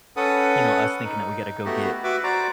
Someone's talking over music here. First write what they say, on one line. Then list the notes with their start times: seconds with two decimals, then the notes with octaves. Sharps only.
you know, us thinking that we gotta go get,
0.16 C#4 A4 B4 F#5 D#6
1.04 D#4
1.65 A3 B3 F#4 G4
2.04 F#4 B4 E5 D6
2.24 F#4 C5 D5 A#5 D6